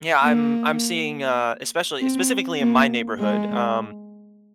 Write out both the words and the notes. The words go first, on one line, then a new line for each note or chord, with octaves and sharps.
Yeah, I'm I'm seeing, uh, especially eh, specifically in my neighborhood, um,
A#3
C4
A#3
G#3